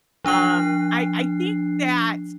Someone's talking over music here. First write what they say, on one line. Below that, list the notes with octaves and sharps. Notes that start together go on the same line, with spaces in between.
um, I I think that
F3 D4 F#6 C7